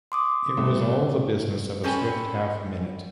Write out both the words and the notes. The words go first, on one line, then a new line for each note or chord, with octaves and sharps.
It was all the business of a swift half-minute.
C6 D6 D#6
C2 A3
C4 C#4 A4 B4 G#5